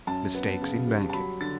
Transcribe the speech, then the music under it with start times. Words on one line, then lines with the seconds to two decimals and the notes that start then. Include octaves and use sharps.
Mistakes in Banking.
0.07 F#2 A5
0.35 B3
0.61 C#3
0.87 G3
1.09 A5
1.13 F#3 B5
1.41 D3 A6